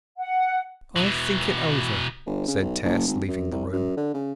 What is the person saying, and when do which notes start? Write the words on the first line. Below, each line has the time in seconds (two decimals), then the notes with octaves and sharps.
"I'll think it over," said Tess, leaving the room.
0.18 F#5
0.96 B2 E3
2.26 G1
2.48 C#3
2.62 B1
2.84 F#1
3.08 G#1
3.28 F#2
3.52 C2
3.73 F#2
3.97 D3
4.14 C#3